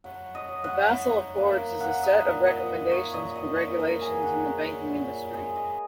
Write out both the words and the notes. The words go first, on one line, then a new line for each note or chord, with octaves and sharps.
The Basel Accords is a set of recommendations for regulations in the banking industry.
F#3 F#5
D#5
F#3
F#5
D#4
A#3
A#3 F#5
D#5
A#2
D#5
D#4
C#5
A#2 D#5
D#5
A#2 A#4
A#4
F#3 G#4
F#5
F#3
A#2
G#3 G#4
D#5